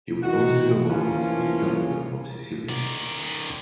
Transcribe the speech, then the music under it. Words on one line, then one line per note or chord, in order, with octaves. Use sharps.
He would also go on to be governor of Sicilia.
D#3 E3 F#4
F3 A#3 C#4 F4
D#3 D5